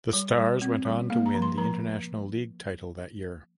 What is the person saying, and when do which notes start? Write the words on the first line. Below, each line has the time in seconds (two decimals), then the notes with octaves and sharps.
The Stars went on to win the International League title that year.
0.13 G3
0.38 G3
0.62 C4
0.85 G3
1.10 A#3 F5
1.26 A#5
1.34 F3
1.42 C6
1.58 F3 A#5